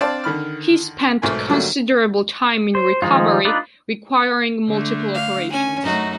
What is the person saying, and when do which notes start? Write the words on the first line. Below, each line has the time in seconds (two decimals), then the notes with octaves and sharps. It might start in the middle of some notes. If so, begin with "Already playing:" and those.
He spent considerable time in recovery, requiring multiple operations.
0.01 C4 D4 D5 F5 A5
0.24 D3 D#3 B5 F6
1.22 B1 G#2 A3 A#4 G#5
1.48 D3 F#3 G3 A3 A#3
2.75 C5
3.02 D#3 F3 G#3 D#4 F4
3.45 D4 D#4 F4 B4 D5
4.69 D3 A3 D4
5.14 F5
5.52 C#4 G#5
5.83 F#2 A3 D#4 F#4